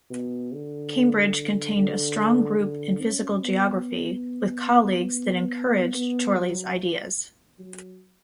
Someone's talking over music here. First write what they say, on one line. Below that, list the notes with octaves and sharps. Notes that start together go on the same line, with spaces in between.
Cambridge contained a strong group in physical geography with colleagues that encouraged Chorley's ideas.
B2
D3
D3
D3
C#4
B3
B3
F#3
F#3